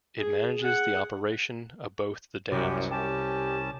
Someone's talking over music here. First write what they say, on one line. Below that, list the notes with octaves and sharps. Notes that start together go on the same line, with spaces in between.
It manages the operation of both the dams.
G#4
G#4 F#5
C2 F#2 G4
C#4 G4 A5